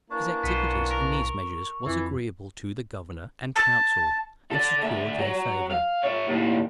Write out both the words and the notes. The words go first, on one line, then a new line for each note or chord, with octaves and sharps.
His activity in these measures was agreeable to the governor and council, and secured their favor.
E3 A#3 D4 C#6
B1 B3 C5
A#4
F2 E3
A5
A4 D5
D2 E5
F#3
F5
C#5 E5
D#2 A2